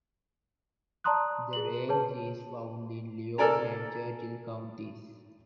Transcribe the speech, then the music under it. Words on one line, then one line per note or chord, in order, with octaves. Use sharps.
The range is found in Lyon and Churchill Counties.
D5 A5 A#5 C6 D#6 F#6
G#4 F#7
G#4 B4 C#5 A5
A4 A#4 D5 G#5 A#5